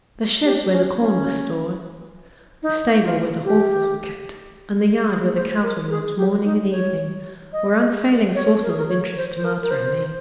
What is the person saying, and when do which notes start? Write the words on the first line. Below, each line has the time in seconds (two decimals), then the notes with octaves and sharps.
The sheds where the corn was stored, the stable where the horses were kept, and the yard where the cows were milked morning and evening were unfailing sources of interest to Martha and me.
0.45 G4
0.71 C#4
0.99 C#4
2.63 D#4
3.03 F4
3.44 G4
5.08 G#4
5.35 C5
5.63 A#4
5.90 G#4
6.17 G4
6.45 D#4
6.72 C#5
7.53 D#5
8.35 C#5
8.63 A#4
8.69 G#4
8.78 A#4
8.89 C#5
9.17 C5
9.36 C5
9.44 A#4
9.62 A#4
9.71 C5